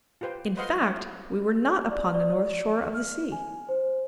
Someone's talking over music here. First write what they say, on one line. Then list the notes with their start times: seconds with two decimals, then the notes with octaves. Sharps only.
In fact we were not upon the north shore of the sea.
0.21 F4 G4 B4 C5 G5
0.57 B4 C5 D#5 F5 F#5 C6
0.82 F5 F#5
1.90 D5
2.15 D5
2.94 F6
3.32 G#5
3.69 C5